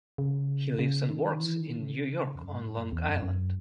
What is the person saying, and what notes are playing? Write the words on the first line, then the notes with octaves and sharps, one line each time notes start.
He lives and works in New York on Long Island.
C#3
C#3
D#3
E3
D#3
C#3
E2
F#2
G#2
A2
F#2
E2
F#2
F#2